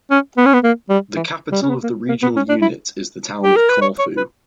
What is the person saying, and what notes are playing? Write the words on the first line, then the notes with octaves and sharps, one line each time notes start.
The capital of the regional unit is the town of Corfu.
C#4
B3
C#4
B3
A#3
G3
E3
G3
C#4
B3
A#3
A#3
B3
C#4
D4
E4
G4
A#4
B4
C#5
C#5
B4